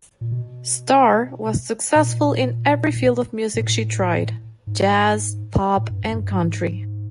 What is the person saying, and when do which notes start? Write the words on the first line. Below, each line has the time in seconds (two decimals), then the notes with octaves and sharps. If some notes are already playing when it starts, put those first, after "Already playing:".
Starr was successful in every field of music she tried: jazz, pop and country.
0.21 A#2
0.31 B2
1.95 A#2
3.54 A#2
3.58 A2
4.67 G#2
5.77 A2
5.90 G2
6.04 F#2
6.11 G#2
6.17 G2
6.31 G#2